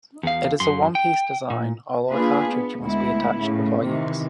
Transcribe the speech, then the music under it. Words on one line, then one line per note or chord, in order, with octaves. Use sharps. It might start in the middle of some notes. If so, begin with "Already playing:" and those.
It is a one-piece design, although a cartridge must be attached before use.
E2 F5
F#2 C6
G5
A#2
A#3 D4 F4 G#4 B4
B3
D2 G#3 B3 E4
A2 C#3
C3 D#3 E3